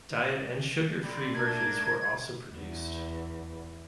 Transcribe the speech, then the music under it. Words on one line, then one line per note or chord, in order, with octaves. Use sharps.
Diet and sugar free versions were also produced.
D3 G3
A3 D4 A#4 G#6
E2